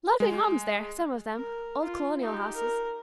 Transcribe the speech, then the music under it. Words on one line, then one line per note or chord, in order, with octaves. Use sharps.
Lovely homes there, some of them,--old colonial houses.
G#3
A#4
F4
D#4 G4
A#4